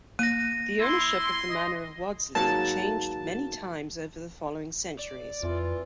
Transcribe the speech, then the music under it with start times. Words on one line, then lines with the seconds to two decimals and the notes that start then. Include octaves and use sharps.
The ownership of the manor of Wadsley changed many times over the following centuries.
0.19 A#3 A#6 D#7
0.80 E4 C6
1.49 D#5
2.35 G#2 F#3 A#3 A5
4.99 D5
5.43 F2 E3 F4